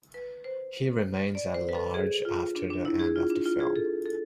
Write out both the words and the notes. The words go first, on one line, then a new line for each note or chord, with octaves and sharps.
He remains at large after the end of the film.
B4
C5
D5
C5
B4
A4
G#4
F4
D4
D4
E4
G#4
F4
D4
F4
G#4
A4
A4